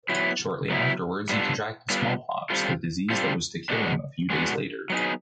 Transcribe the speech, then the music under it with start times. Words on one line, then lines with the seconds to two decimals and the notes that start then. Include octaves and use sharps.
Shortly afterwards he contracted smallpox, the disease that was to kill him a few days later.
0.09 F#3 B3 E4
0.70 F#3 B3 E4
1.29 G3 B3 D4 F4 A4
1.90 G3 B3 D4 F4 A4
2.50 G3 C4 F4 A4
3.10 G3 C4 F4 A4
3.70 G#3 B3 D4 F#4
4.30 G#3 B3 D4 F#4
4.90 F#3 B3 D#4 G#4